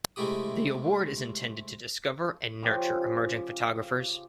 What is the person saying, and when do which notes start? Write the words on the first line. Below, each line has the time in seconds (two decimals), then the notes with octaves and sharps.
The award is intended to discover and nurture emerging photographers.
0.16 C3 G#3 A3 E4 G4 D#6
2.63 C#3 F3 G4